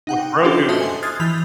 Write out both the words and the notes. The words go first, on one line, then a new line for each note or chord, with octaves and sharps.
With Grogu.
D#4 F#5 G5
C#4 D4 F4 G4 A4
F#4 C5 D#5 E5 A5 D#6
G#5 C6
D#6 F6 F#6 G#6 A6 C7
E3 B5 G6 F7